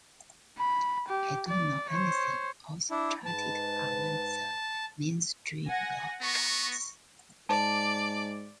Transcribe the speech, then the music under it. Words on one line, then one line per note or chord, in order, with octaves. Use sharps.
"I Don't Know Anything" also charted on the Mainstream Rock charts.
B5
G4
D5
C5 C#5
D4 E4
G#2 B4 A5
F#5 G#5 A#6
B3 C#6 A#6
G#2 D5 A5